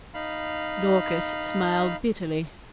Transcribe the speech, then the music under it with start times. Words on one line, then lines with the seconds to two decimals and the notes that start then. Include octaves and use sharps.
Dorcas smiled bitterly.
0.14 D#4 F5 B5